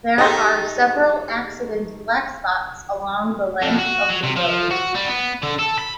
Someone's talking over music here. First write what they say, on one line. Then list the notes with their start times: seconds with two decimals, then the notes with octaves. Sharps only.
There are several accident blackspots along the length of the road.
0.18 A3 D#4 G4 G#4 D#5 G5 C6
3.62 F2
3.79 F#4
4.10 F#3
4.23 C3
4.36 F3
4.71 F#4
4.95 G3
5.08 B3
5.43 D3
5.59 A4
5.79 B5